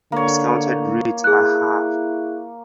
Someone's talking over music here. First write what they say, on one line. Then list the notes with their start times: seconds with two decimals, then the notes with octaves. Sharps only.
Discounted rates are half.
0.12 D3 A#3 C#5
1.24 E4 G#4 F#6